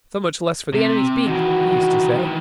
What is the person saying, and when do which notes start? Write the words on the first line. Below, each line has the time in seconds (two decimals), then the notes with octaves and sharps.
So much less for the enemy's beak, he used to say.
0.73 C3
1.27 D#3 E3 F#4